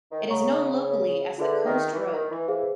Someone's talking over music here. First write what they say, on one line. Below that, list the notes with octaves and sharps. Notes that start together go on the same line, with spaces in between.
It is known locally as the Coast Road.
D#3
C#3 C#5 F#5 A#5 C#6
D3 F4 G#4 B4 E5
D#3
E3
D#3
E3
E3 G#4 C5 F5